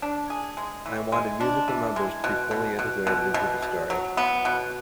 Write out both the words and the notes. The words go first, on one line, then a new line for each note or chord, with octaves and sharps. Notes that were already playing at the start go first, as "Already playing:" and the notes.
I wanted musical numbers to be fully integrated into the story.
D4
G#4
G#3
E3
G#3
D4
E3
G#3
B2
B2
B2
B2
B2
B2
F#3
B3
B2